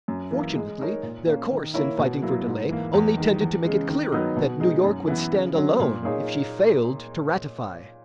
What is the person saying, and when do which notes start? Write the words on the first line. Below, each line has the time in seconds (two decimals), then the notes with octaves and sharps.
Fortunately, their course in fighting for delay only tended to make it clearer that New York would stand alone if she failed to ratify.
0.08 F#2
0.31 E3 A#3
0.55 G#3
0.80 D#4 A#4 C#5
1.03 A#2
1.26 A#3 C#4
1.51 D#3
1.74 A#3 E4 A#4 C#5
1.99 B2
2.22 F#3 A#3 E4
2.46 G#2
2.69 E3 A#3
2.94 E2
3.17 D#3 G#3
3.41 E2
3.64 C#3 G#3
3.89 D#3
4.12 F#3 B3 D#4
4.36 B2
4.60 G#3 D#4
4.84 F#2
5.07 E3 B3
5.32 C#3
5.55 F#3 C#4
5.80 A#2
6.03 A#3 D#4 G#4 C#5